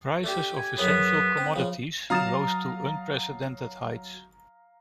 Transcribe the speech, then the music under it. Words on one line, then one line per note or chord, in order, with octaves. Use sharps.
Prices of essential commodities rose to unprecedented heights.
A3 D4 G4
G#5
F#2 B3 G#4 C#5
C4
C#3 F3
F#3 F5 A#5 D#6 A6 E7